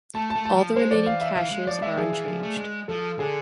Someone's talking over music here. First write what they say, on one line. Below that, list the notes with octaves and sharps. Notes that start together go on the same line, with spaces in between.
All the remaining caches are unchanged.
A3 A5
A5
A3
A5
F3
G#3 C5
F3 D5
E3 F5
E5
E3 F5
G#3
F3 D5
G#3 E5
F3 G#4
E3
F3
A3
G#3
F3 A4
D3 G#4